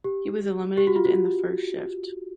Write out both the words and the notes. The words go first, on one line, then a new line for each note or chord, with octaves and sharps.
He was eliminated in the first shift.
G4
G4
F#4
F4
F#4